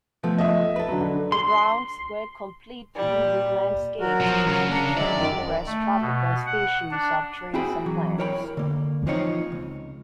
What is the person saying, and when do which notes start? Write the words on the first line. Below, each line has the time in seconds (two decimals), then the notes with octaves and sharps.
The grounds were completely re-landscaped to feature numerous tropical species of trees and plants.
0.23 F3 A3 B3
0.38 D#5 E5
0.76 A4 B4
0.88 D3 F#3
1.00 D3
1.32 C6
2.96 A#2 G3
4.00 F#3 F#4 A#4
4.21 F3
4.47 C#3
4.69 D4 A#5
4.97 F#3 G#3 D5 E5
5.15 F#2 D#3
5.66 A3
6.01 B2
6.46 F#5
6.91 D4
7.54 C4 E4 F#4 G#4 G5 B5
7.86 E3 F#3
8.18 E4 A#4 C#5 G5 A5 B5
8.57 D3 A#3
9.06 E3 F3 C4 D#4 G4 C#5
9.52 C#2